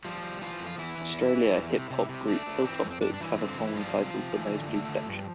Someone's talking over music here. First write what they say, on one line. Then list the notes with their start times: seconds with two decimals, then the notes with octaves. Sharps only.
Australia hip hop group Hilltop Hoods have a song titled "The Nosebleed Section".
0.05 F3 G3 F4
0.23 G3
0.41 E3 F3 F4
0.60 F2
0.66 F4
0.78 E2 E3 E4
0.98 E2
1.16 E3
1.35 E3
1.53 E2
1.72 C3
1.90 C3
2.09 C3
2.27 A3 D4
2.46 A3
2.64 E3 C4
2.84 F2
2.90 C4
3.01 G2 D4
3.14 D4
3.20 G2 E3 E4
3.38 D3 C4
3.58 G2 E3 E4
3.76 F3 G3 F4
3.95 C3
4.14 C3
4.32 E3
4.51 D3
4.68 A3
4.88 D3
5.07 G2